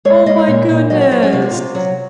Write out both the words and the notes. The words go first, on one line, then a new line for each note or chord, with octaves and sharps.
Oh, my goodness.
G#3 C#5
G#3 D#5
A#2 C#5
A#2
F#3 D#5
C#5
F#3 C5
C#4
C3 F4
F#4
C3 F4
F#3